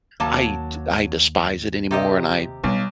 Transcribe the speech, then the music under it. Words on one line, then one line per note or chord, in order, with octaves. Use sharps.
I t I despise it anymore, and I
D#2 F#3 A#3 A5
C3 G4 D#5
B1 G3 F4